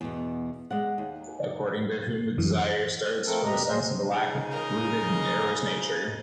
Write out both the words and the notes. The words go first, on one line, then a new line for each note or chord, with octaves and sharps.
According to whom the desire starts from a sense of lack rooted in Eros nature.
E2 B2
G#3 D5 F#5
D#2
F#2 E3
F3 A3 C4 A4 A#4
D#2 B2 G4 D#5 A#5
F#3 G#4 C5 D#5
C#3 F3 D#4
A#4 D#5